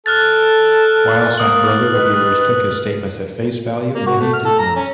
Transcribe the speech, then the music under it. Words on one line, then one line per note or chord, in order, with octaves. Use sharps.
While some early reviewers took his statements at face value, many did not.
A4 F6 F#6 A6
A#3 D#6 F#7
D#3 B4
A#3
F#4
A3
F6
A4
A#5
C#4